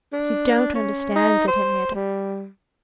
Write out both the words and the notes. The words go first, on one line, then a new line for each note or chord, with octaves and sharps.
"You don't understand," said Henriette.
D4
C#4
D#4
C5
G3